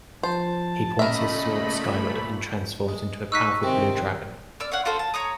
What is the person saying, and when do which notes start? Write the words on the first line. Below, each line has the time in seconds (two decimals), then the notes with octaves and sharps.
He points his sword skyward and transforms into a powerful blue dragon.
0.23 F3 C5 A5
0.99 A#2 C#3 A3 A#4 D#5 E5 B5
2.88 G#3
3.32 D#4 C#6 E6 F#6 B6
3.63 C3 D#3 G#3 C4 G5
4.60 D5 E6 F6
4.72 C#5 F5 F#5
4.85 F4 F#4 A4 C5
4.99 A5
5.14 C#5 A#5 D#6